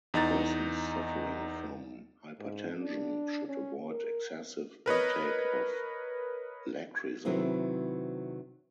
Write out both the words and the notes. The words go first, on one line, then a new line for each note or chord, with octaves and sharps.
Persons suffering from hypertension should avoid excessive intake of Lakrisal.
E2 D#4 A#5 A6
G#2
D4
C#4
A#4
A#4 B4 C#5 D#5
C3 D#3 F#3 C4 E4 B4